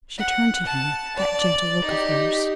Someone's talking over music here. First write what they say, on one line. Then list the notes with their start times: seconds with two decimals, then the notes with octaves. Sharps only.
She turned to him that gentle look of hers.
0.18 F#5
0.66 A5
1.17 D5
1.84 D#4 G4